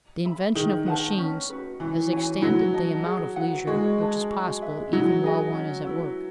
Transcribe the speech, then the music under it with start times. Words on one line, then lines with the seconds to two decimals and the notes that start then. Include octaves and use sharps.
The invention of machines has extended the amount of leisure which is possible even while one is at work.
0.25 E5 B5
0.55 D#3 G#4
0.86 B4 F#5 A5
1.18 C#4
1.50 F#4 B4
1.80 E3 C#4
2.12 F#4 C#5 G#5
2.42 F#3 B4
2.74 D#5 A5
3.05 G#4
3.36 B4 F#5
3.67 G#3 F#4
3.98 B4 D#5 A5
4.31 F#4
4.61 B4 E5
4.93 F#3 D#4
5.24 G#4 D#5 G#5
5.54 C#4
5.87 E4 B4